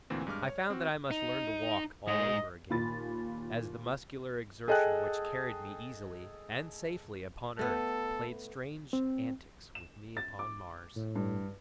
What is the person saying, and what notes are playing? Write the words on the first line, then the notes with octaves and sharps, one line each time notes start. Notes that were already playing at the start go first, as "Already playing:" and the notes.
I found that I must learn to walk all over again, as the muscular exertion which carried me easily and safely upon Earth played strange antics with me upon Mars.
D2 A#2 E3 C4
G2 G#3 D6 F6
C#5
C4 F#4
D#4
G#2 D#4 D#5
D#2 A#2 B5 A6
G#4 A4 D#5 G5 G#5 F#6
A3 B3 A4
C4
E7
A6
D6
A2
G2